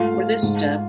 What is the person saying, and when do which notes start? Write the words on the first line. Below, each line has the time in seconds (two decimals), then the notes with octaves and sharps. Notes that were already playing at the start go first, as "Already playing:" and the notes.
For this step.
Already playing: G#2 A3 F4 F5
0.14 A3
0.43 G#2